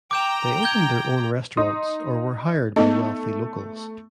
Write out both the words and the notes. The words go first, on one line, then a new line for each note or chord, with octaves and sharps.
They opened their own restaurants or were hired by wealthy locals.
G5 A#5 D6 G6 E7
G6 G#6 G7
D#4 C6 D#6
A3 B3 D#4 D#5